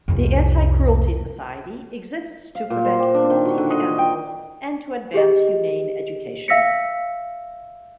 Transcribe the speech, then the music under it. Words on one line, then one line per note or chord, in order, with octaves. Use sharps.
The Anti-Cruelty Society exists to prevent cruelty to animals and to advance humane education.
C2 F2
F5
A#2
C5
G4
D4
D#3
F#4
D3
D#5
F#4
G5
G4 G#4 D#5
E5 F5 E6 A#6 B6 C#7